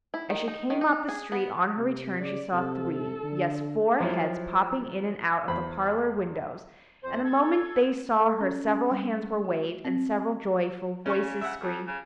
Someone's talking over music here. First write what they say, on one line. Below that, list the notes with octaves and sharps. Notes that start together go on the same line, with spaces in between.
As she came up the street, on her return, she saw three, yes, four heads popping in and out of the parlor windows, and the moment they saw her, several hands were waved, and several joyful voices screamed...
E4
D#3
D#4
D#3
D#4
G#4
B3
C3
C#3 D5
C3 A4
D3
F3 F#3 E4 C#5
E2 C5 B5
F2 C5
A4 G#6
A4
C#4
C#4
G3
A3
F#4
C4
D#5
C#3 C#4 C#6
E5 F#5
F2
C#3